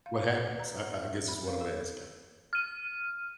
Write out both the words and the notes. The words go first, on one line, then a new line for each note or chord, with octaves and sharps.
What happens, I I guess is what I'm asking.
F5
F#5
B4
A#5
F#5
E5
B5
F5
A4
F6 D#7